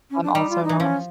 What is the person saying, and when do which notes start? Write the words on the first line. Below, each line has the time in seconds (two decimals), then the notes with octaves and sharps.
I'm also not,
0.11 C#4
0.23 D4
0.34 G3 D#4
0.50 F4
0.64 D#4
0.69 E3
0.80 F3 C#4